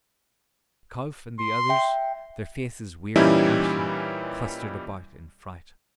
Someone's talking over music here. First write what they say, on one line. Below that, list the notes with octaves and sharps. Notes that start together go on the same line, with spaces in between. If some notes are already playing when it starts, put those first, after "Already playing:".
Kauf and the others, their faces weirdly ashen, clustered about in fright.
C6
E5 G5
A#2 E3 G3 C#4 D#4 E4